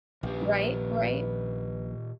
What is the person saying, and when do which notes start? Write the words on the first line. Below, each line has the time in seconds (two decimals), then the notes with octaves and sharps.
Right, right.
0.23 A#1 A#2 G4 B4